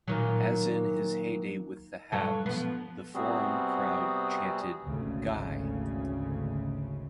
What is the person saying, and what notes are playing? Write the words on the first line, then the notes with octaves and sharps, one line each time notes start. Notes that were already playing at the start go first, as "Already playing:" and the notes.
As in his heydey with the Habs, the Forum crowd chanted Guy!
A#2 D#3 F#3
G2 F#3 A4
F3 B3
C3 G3 B3 C4 F#4 G#4
G#1 D2 C#3